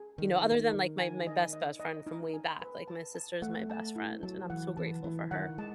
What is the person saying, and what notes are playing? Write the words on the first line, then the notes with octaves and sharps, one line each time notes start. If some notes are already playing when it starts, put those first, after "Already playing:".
You know, other than like my my best best friend from way back, like my sister is my best friend and I'm so grateful for her.
Already playing: G#4
D#3 D#4
D#4
D#4
G#5
D#5
D#5
D#5
D#4
G#5
B4
A5
A5
A3 F#5
A5
E4
F#3 A5
E3 F#5
E3 A5
E3 E4
D#3 F#5
G#3 A5